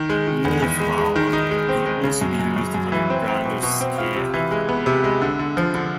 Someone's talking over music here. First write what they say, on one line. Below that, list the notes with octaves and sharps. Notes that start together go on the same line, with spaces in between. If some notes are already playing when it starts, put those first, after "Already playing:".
Wallflower can also be used on a grander scale.
Already playing: D#3
G#3
D#3
E2
E2
G#3
G#3
D#3
D#4
G#3
C4
G#3
C#3
F#2
F#2
F#2
F#2
E3
C4
C4
B2
B2
C4
F4
C3
E3
G#3
B3
C3
G#3
D3
D3
F3
D3